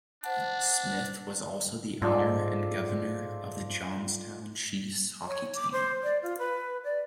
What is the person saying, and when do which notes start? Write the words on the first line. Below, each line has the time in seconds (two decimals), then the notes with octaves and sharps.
Smith was also the owner and Governor of the Johnstown Chiefs hockey team.
0.23 D4 C5 F#5 A5
2.02 G#2 F4 A4 D5
5.28 C#5
5.55 D6
5.72 C5
6.03 D5
6.23 F4
6.39 B4
6.84 D5